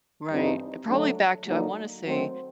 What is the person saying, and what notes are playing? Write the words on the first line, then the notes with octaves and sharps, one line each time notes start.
Right, probably back to I wanna say,
G2 E3 G3 C4 D#4
D3 F#3 A3 D4
D3 F#3 A#3 D#4
D#3 F#3 A3 C4